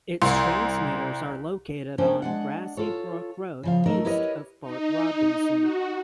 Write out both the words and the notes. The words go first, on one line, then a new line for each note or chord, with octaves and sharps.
Its transmitters are located on Grassy Brook Road east of Port Robinson.
C2 C6
A#3 C#4 D4 C5 G5
G#3 D4 F#5
F4 A4 C#5
C#3 F3 F5
F#3 A3 D#4 A#4
E4 G4 A#4 B4 C#5 D#5
D#4
F#4